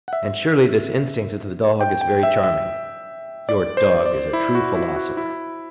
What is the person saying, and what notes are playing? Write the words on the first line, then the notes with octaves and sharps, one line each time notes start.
And surely this instinct of the dog is very charming;--your dog is a true philosopher.
F#5
E5
G5
G5
E5
E5
D5
C5
D5
E4
F#4
E4
F#4
E4